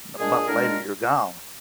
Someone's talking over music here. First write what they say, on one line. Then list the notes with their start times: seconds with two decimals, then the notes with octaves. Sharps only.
and a month later you're gone,
0.19 A#2 G#3 D4 G#4
0.48 A#2 G#3 D4 A#4